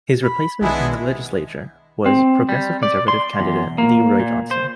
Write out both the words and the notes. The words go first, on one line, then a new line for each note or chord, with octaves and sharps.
His replacement in the legislature was Progressive Conservative candidate LeRoy Johnson.
B5
B1 D#3 G#3 B3 D4 E4 G#4
C4
G3
D5
C6
E2
A#3
A#2
C5